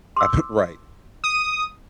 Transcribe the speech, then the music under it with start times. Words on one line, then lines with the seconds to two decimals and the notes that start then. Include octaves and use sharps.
I've Right,
0.17 C6 D6 E6
1.24 D#6